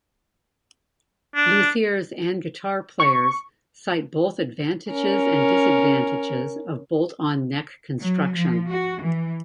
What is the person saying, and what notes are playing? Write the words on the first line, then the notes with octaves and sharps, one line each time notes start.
Luthiers and guitar players cite both advantages and disadvantages of bolt-on neck construction.
D4
C#6
C#4 A#4
F#3
F3
F#4
E3